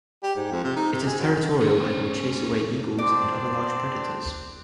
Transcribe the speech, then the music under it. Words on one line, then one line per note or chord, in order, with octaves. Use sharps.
It is territorial and will chase away eagles and other large predators.
G4
G#2
F2
C3
D#4
C3
G#4
F#2
C#4 C5
C4 D4 D5